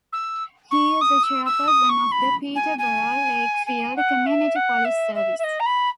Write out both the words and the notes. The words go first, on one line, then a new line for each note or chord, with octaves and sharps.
He is the chairperson of the Peterborough Lakefield Community Police Service.
E6
C#6
D#6
E6
E6
D#6
C#6
B5
G#5
G#5
G#5
F#5
E5
F#5
E5
E5
E5
D#5
A#5
B5